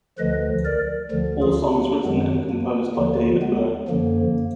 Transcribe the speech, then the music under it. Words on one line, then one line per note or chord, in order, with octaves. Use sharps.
All songs written and composed by David Byrne.
D2 D3 F3 B4 D#5
A#4 D5
D2 D3 F3
F4 G#4
A#3 D4
F#2 D#3 F#3 G#3 B3
A#3
D#2 D3 F3 A#3
G#3 B3
F#2 D3 F3 A#3